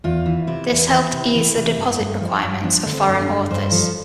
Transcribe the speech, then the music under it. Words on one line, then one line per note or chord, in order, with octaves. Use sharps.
This helped ease the deposit requirements of foreign authors.
E2 F4
E3
C3 E4
E2
E3
C3
E3
C3
G2
G2
F3
G2
F3 D4
D3
C4
G2
D4
G2
G2 C5
F3 A4